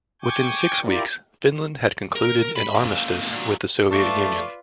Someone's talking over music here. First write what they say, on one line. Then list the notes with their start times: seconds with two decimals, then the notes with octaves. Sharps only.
Within six weeks, Finland had concluded an armistice with the Soviet Union.
0.22 G5 G#5 C#6 D6 G6
0.82 E4 F4 G4 A#4 D5
2.16 A#4
2.56 B5
2.75 G#3 A#3
3.31 A#2 F#3
3.90 A3 F4 B4 D5 A5 C#6